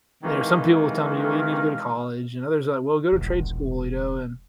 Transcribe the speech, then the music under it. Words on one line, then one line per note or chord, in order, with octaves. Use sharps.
You know, some people will tell me, "Well, you need to go to college," and others are like, "Well, go to trade school," you know, and
C3 D#3 E3 G#3 A#4 F5
E1 A#1